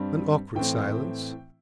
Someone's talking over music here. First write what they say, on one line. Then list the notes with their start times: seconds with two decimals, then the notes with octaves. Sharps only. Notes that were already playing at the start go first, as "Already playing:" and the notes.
An awkward silence.
Already playing: G2 G3 C4
0.55 A2 E3 A3 C4 G5